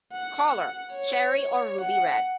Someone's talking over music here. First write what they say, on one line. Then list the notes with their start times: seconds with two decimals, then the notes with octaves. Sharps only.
Colour: cherry or ruby red.
0.12 F#5
0.92 C#5
1.81 F#5